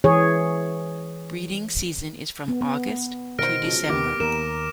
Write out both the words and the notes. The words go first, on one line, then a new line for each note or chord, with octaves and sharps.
Breeding season is from August to December.
E3 G#4 C#5
B3
B3
B2 D#3 A#4 C5 F6 A#6 D7
C#3 F3 F#3
D#2 D#3 A#3 B3 G4 D6
D#2 A#4 E7